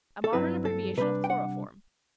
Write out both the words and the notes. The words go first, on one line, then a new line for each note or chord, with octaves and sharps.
A modern abbreviation of chloroform.
A4
G2 F#3 C4 E4 B4
A4
C3 G3 D4 B4
G5
F#5